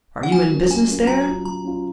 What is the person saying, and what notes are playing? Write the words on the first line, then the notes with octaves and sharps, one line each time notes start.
"Are you in business there?"
F#5
F#3 G#5
C#4 F4 A#4
F#3 G#5
C#4 F4 A#4
F#3 A#5
C#4 F4
F#3 A#5
C#4 F4